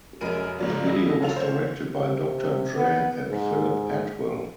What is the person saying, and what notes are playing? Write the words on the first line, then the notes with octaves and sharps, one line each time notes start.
The video was directed by Doctor Dre and Philip Atwell.
F1 F#2 G#3 A#4 D#7
G#2 C#3 F#3 D4 F4
C#2 G3 D#4 E4 G#4 A#6
C#3 F#3 F4 A4 F5 F7
C5 C#5
C3
B3
G#2